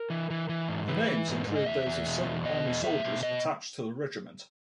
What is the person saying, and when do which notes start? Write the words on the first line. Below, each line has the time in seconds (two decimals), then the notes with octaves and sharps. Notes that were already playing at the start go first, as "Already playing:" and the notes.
The names include those of seven Army soldiers attached to the regiment.
Already playing: A#4
0.10 E3
0.30 E3
0.49 E3
0.68 G#2
0.88 E3 B4
1.08 E3
1.28 G#2
1.47 G#2
1.55 D#5
1.66 E2 E5
1.86 E2
2.06 B2
2.25 E2
2.45 B2 D#5
2.65 E2
2.84 B2 E5
3.05 B2
3.23 B2 D#5